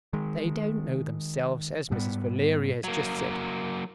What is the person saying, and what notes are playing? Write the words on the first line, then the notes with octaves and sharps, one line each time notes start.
They don't know themselves--as Mrs. Valeria has just said!
D#3 G#3
G#2 G3 B3
F#3 A#3